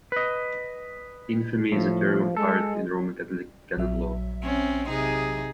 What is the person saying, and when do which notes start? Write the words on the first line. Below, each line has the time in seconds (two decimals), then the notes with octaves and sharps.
Infamy is a term of art in Roman Catholic Canon Law.
0.12 B4 D#5
1.72 A2 F3
2.37 G#3 A4
3.77 A#1 F#3 E5
4.43 C4 C#4
4.88 C3 D#4 G#4